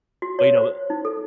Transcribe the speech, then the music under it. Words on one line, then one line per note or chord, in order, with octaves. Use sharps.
but, l you know,
F#4
C#5
C5
D#4
A4